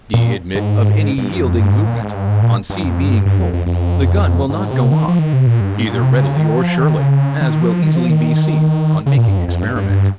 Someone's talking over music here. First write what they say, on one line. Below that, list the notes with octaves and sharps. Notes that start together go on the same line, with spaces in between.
If D admit of any yielding movement, on C being pulled, the gun will not go off, either readily or surely; as will easily be seen, on making experiment.
A#2
G#2
G2
F2
G2
G#2
A#2
G#2
G2
G#2
A#2
G2
F2
G2
G2
F2
F2
F2
G#2
C3
D#3
F3
D#3
C3
A#2
G2
G#2
A#2
C3
C#3
D#3
F3
D#3
C#3
D#3
F3
D#3
F3
D#3
C#3
A#2
G2
F2
F2
G2
G2
G2